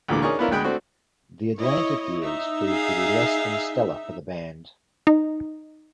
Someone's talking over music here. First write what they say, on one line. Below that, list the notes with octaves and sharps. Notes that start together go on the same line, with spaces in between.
The Atlantic years proved to be less than stellar for the band.
D2 A#2 D3 E3 G#3 D6
C#4 D#4 G#4 A#4 D5 C#6
B3 C#4 D4 E4 F4 A#4
D2 G#3 G5 B5 D#6 F#6
A3 C4 D4 F#4
E4 C#5 D#5
D#4 E5
G#4 F5
D#4